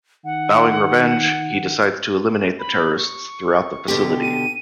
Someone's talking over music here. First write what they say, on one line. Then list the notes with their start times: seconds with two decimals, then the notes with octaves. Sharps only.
Vowing revenge, he decides to eliminate the terrorists throughout the facility.
0.25 D#3 F#5
2.59 B5
2.97 C#6
3.88 B2 D3 G4
4.22 D#7